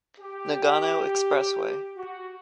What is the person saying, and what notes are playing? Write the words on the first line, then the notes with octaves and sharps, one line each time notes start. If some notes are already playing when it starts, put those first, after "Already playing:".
Nagano Expressway.
G4
F#4